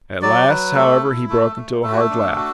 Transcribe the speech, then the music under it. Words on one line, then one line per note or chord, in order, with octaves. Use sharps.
At last, however, he broke into a hard laugh.
F#3 D5
F#3 B4
A3 A4
E4
A3 A4
A3
A3 A4
F#4
A4
D4
F#4